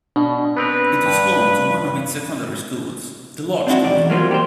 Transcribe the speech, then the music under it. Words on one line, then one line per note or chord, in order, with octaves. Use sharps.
It is home to one of its secondary schools, The Lodge School.
B2 D4
B3 C4 A#4 B4
G2
C4 D4 E4 F#4
B1 E2 D5
F#3 G3 A#3 F4 F#4 C5
G4 B4 C5